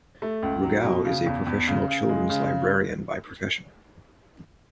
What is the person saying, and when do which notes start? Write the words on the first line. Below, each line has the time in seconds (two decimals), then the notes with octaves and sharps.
Rogow is a professional children's librarian by profession.
0.22 A3
0.42 C#2
0.63 F#3
0.84 B2
1.05 C#3
1.26 E2
1.47 E2
1.67 C#3
1.88 C#3
2.09 G#3
2.30 C#3